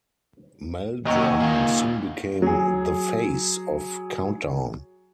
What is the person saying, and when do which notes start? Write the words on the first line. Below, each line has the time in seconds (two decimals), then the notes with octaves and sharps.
Meldrum soon became the "face" of "Countdown".
1.05 D#2 C3 D#5 F#5 G#5 A#5 C#6
1.40 A#2 D#3 F5
2.42 F#3 G#4